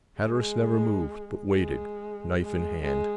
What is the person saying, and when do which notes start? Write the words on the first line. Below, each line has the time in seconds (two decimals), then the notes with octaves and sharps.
Hatteras never moved, but waited, knife in hand.
0.20 G#3
1.51 G#3
2.38 G#3
2.83 G#3